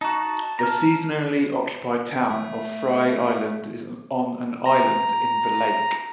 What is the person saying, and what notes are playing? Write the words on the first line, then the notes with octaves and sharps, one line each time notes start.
The seasonally occupied town of Frye Island is on an island in the lake.
D#4 F#4 A5
A#5 F6
A3
A#5